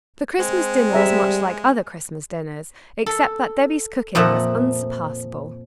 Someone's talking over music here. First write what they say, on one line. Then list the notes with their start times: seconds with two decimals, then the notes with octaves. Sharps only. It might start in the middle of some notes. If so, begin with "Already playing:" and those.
The Christmas dinner was much like other Christmas dinners, except that Debby's cooking was unsurpassable.
0.39 G#3 C4
0.93 G3 G#4 E5 A#5
3.06 A4
4.15 F2 A#2 F3 E5 F#5